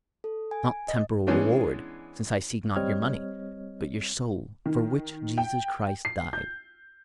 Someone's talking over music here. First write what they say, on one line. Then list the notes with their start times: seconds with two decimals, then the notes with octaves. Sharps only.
Not temporal reward, since I seek not your money, but your soul, for which Jesus Christ died.
0.24 A4
0.51 G#5
0.88 D#5
1.27 E3 G#3 B3 C#4 D4
2.76 G3 C4 C#5 D#5 F6 G#6
4.66 D#3
5.38 G5
6.05 C7
6.33 G6